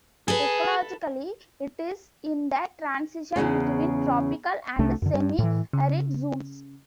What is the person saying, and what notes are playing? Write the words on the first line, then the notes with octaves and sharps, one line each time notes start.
Ecologically, it is in the transition between tropical and semi-arid zones.
G#4 A4 B4
E2 A#2 C#3 C#4
C2 C3 A3 D4
F#2 D3
G2
A2 E3
C#3